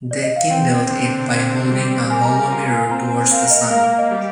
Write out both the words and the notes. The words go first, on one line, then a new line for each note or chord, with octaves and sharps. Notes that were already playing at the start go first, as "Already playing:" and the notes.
They kindled it by holding a hollow mirror towards the sun.
D5
D#5
F5
C4 G5
D3
C4
G3
A#4 G#5
A#5
G#5
F4 A#5
G#5
C4 A#5
G#5
A#4 F5
D#5
A#3 F5
D#5
G3